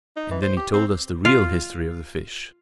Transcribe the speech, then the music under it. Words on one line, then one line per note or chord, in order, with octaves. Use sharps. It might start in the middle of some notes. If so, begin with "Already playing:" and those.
And then he told us the real history of the fish.
D#4
E3
C5
G4
C4
F4